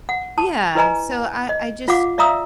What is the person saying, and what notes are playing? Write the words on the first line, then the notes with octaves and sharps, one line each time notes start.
Yeah. So, I I just
F#5
A5
E4 B4 D#5 G#5 A#5
D#5
F4 F5 F#5 D6
D5 E5 F5 A#5 D#6 E6